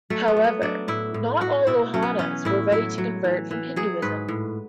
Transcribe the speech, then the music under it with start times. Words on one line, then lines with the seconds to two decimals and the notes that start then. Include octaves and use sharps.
However, not all Lohanas were ready to convert from Hinduism.
0.10 F#3 A3
0.28 B3
0.37 F#3
0.44 B3
0.62 F#3 D4
0.88 A2 E4
1.14 A2
1.41 A2 F#4
1.67 B2 E4
1.94 F#3 C#4
2.02 B3
2.19 E3 C#4
2.45 A2 E4
2.72 F#3 E4
2.98 F#3
3.24 E3
3.51 E3
3.76 F#3 G#4
4.02 G#2 B4
4.28 A2